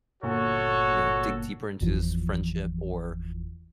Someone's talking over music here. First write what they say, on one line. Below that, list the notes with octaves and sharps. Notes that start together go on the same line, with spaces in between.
you know, dig deeper into this friendship or,
G1 A#2 F#4 A4 C#5
G1 E2 E3 F3